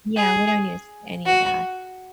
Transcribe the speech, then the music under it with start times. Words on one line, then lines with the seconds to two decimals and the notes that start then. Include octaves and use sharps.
Yeah, we don't use any of that.
0.16 G#4
1.26 F#4